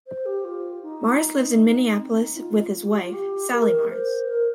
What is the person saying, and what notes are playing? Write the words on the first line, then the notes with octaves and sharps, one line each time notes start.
Mars lives in Minneapolis with his wife, Sally Mars.
C5
G4
F4
D#4
C4
D#4
F4
F4
G4
F4
G4
A#4
C5
A#4